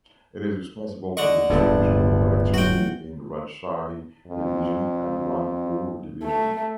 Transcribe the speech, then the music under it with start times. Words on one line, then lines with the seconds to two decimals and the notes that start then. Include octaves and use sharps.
It is responsible for the distribution of electricity in Rajshahi Division and Rangpur Division.
1.17 D3 D#5 F#5 C#6
1.50 D1 G1 G2 A#3 D4 A4
2.54 F#3 A3 F#4 G5
4.27 F2
6.23 A3